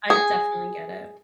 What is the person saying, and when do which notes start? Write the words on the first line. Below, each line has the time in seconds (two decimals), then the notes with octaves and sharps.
I definitely get it.
0.10 G#4